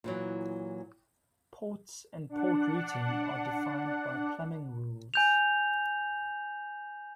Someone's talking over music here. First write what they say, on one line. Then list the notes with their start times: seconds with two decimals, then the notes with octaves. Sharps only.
Ports and port routing are defined by plumbing rules.
0.04 A#2 E3 F#3
2.29 D4 F#5
5.14 G#5 G6 F7